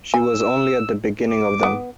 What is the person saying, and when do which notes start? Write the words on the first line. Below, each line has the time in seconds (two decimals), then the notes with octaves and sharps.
She was only at the beginning of them.
0.14 G#5 E6
1.30 D6
1.63 B3